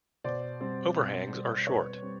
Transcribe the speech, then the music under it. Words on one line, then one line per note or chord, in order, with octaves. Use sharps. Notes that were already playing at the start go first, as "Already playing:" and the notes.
Overhangs are short.
B2 C5 D5
G3 C4
B2
G3 C4
B2 B4 C#5
G3 C4